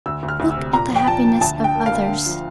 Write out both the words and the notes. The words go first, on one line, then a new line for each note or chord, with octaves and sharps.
"Look at the happiness of others."
D2 E6
D2
F6
D2
E6
C3
A#2 A#5
F3
G5
A#2 A5
F3
D2 A5
D3
G5
A#3
F5
D2
D3
F3